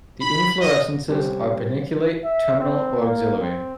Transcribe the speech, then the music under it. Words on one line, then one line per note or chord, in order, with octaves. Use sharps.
The inflorescences are paniculate, terminal or axillary.
B5
D#5
C3 G3 C4 C#4 G4 C5
E5
C4
A#3
C4